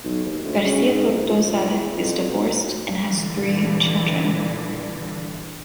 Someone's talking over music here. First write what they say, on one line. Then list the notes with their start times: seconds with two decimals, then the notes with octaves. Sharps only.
García Tortosa is divorced and has three children.
0.04 B1
0.25 D#2
0.45 D2
0.65 C#3
0.86 G#2
1.12 A#1
1.29 F3
1.70 E2
1.96 F2
2.28 B2
3.04 A#2 D3 E3 G3